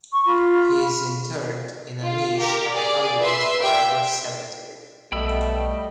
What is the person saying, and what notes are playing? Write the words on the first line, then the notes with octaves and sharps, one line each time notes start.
He is interred in a niche at Hollywood Forever Cemetery.
C#6
F4 B5
F4
G4 A#4
G#4 D5
B4 E5 C6
G4 E5 G5
B1 B2 G3 A3 D#5 G5 B5 E6